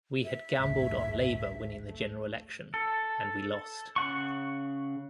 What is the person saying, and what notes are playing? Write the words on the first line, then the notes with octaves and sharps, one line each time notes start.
We had gambled on Labour winning the General Election and we lost.
E5
A1 D2 G2
A3
A4
C#3 F#5 C#6